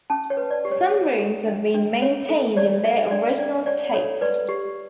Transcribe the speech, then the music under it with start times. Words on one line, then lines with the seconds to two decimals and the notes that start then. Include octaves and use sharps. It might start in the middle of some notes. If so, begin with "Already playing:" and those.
Some rooms have been maintained in their original state.
0.10 C#4 A5
0.30 C#5
0.37 B4
0.51 D5
0.65 G4
0.72 C#5
0.92 C#5
1.19 A4
1.46 D4
1.74 D4
2.02 C#5
2.29 A4
2.57 C#5 D5
2.84 A4 E5
2.91 F#5
2.98 E5
3.11 D4 D5
3.38 D4 D5
3.66 C#5 D5
3.94 A4 C#5
4.21 B4 D5
4.49 G4